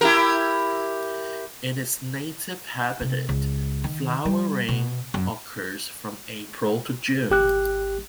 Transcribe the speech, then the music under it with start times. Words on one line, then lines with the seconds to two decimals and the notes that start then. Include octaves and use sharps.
In its native habitat, flowering occurs from April to June.
0.01 E4 G4 A#4
3.01 C3
3.29 C#2
3.84 D#3
4.25 G3
4.69 B2
5.14 F#2
7.30 G#1 G4 F#6